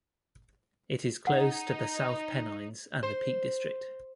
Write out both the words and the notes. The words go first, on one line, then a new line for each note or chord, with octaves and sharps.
It is close to the South Pennines and the Peak District.
D#4 F#5
C5